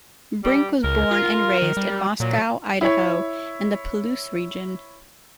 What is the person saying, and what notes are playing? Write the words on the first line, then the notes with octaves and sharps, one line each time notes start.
Brink was born and raised in Moscow, Idaho, in the Palouse region.
G3
C#2 A#4
F4
D#3
G3
A#2 F#3
E4 C#5